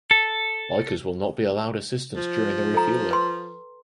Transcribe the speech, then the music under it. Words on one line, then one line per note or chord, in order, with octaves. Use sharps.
Bikers will not be allowed assistance during the refueling.
A4
F3
A4 A#5
B4 C6